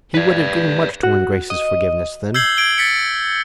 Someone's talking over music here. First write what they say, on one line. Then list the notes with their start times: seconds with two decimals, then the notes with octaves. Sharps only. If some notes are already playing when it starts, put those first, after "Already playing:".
He would have given much to win Grace's forgiveness then.
0.14 B4 D5
1.03 F#4
1.50 D#5
2.34 E6 G6 G#6 C7 F#7 G7
2.57 G#6 D7 F#7 G7
2.78 A6 B6 C#7